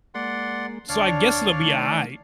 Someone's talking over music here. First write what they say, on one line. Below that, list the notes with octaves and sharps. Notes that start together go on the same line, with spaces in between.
So I guess it'll be aight."
G#3 A#3 D5 F#5 C6
D2 D4 C#5 D5 F5 F6
D#3 A3